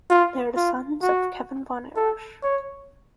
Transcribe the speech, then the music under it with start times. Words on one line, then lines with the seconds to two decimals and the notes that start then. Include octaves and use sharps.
They are the sons of Kevin Von Erich.
0.10 F4
0.57 F4
1.02 F#4
1.97 A4
2.44 C#5